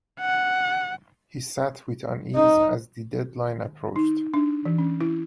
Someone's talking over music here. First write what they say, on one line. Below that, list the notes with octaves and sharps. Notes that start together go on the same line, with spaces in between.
He sat with unease as the deadline approached.
F#5
D#4
D#4
D4
E3
C#4
E4